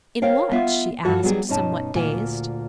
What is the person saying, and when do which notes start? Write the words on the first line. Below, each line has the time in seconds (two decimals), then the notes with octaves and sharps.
"In what?" she asked, somewhat dazed.
0.22 A#4 C5 C#5 F5 G5
0.51 B3 F4 E5 F5
1.05 G2 F3 F#4 A4
1.23 F#3 G3 B3 D#4 G4 G#4
1.49 G2 B2 C#4 D#4 A5
1.95 D2 A#2 G#5